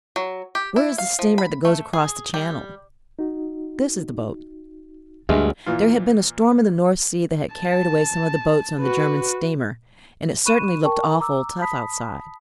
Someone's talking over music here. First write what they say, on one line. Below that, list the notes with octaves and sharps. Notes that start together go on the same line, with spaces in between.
'Where is the steamer that goes across the Channel?' 'This is the boat.' There had been a storm in the North Sea that had carried away some of the boats on the German steamer, and it certainly looked awful tough outside.
F#3
G4
E4
F5
F3
B5
A3
G#4
G3
D#4 F#4
D2 G2 G#3 E5
A#2 E3 F4
A5
F#4 B4
B5 C#6 F#6 D#7 E7
A#4 G5 A5 C#6
A#5 D6 E6
A5 B5 D#6 B6